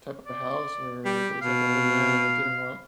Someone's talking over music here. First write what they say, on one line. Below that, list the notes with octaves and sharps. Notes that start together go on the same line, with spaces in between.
type of house where there was like an old man that didn't want,
D5
G3 G4
B2 F5